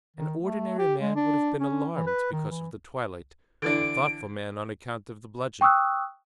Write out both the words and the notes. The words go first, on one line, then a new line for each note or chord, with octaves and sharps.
An ordinary man would have been alarmed because of the twilight, a thoughtful man on account of the bludgeon.
D#3
A3
G4
G#3
D4
C#4
E3
B4
D#3
E3
D3 E3 D4 D7
G5 C#6 D#6 E6 F#6